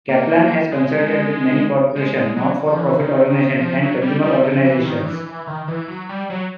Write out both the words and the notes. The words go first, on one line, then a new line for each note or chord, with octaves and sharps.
Caplan has consulted with many corporations, not-for-profit organizations, and consumer organizations.
A#3
G#3
G#3
G#3
G#3
F#3
F3
E3
D#3
F3
F#3
G3
G3
F3
E3
D#3
E3
E3
D#3
E3
F#3
G3
F#3